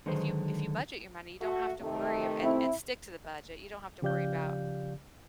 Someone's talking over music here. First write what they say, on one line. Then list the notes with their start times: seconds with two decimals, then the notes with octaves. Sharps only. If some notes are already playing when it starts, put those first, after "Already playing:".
if you if you budget your money, you don't have to worry- and and stick to the budget- you don't have to worry about
0.06 D3 D#3 F#3 G#3 B4 C5
1.41 A3 F#4
1.82 C3 D#3 A3
2.43 C4 E4
4.02 C#3 F3 G4 D5 F5 G6